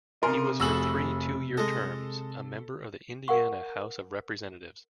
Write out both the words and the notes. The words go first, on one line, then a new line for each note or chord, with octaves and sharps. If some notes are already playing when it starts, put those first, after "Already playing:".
He was for three two-year terms a member of the Indiana House of Representatives.
C3 A#4 G#5 C6
F1 F#4 G#4 A4 E6 F#7
G#3 A4 D#5
A#4 F5 F#5 C#6